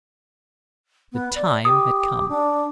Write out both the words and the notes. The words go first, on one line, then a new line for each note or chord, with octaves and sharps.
The time had come!
B3
D5
G4 D#6
D4